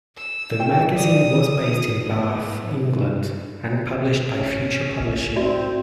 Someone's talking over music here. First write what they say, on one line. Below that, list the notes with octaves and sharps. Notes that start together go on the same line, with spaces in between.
The magazine was based in Bath, England and published by Future Publishing.
E6
G5
D5 D#6
B3
C#4
C4 F#4 D5 E5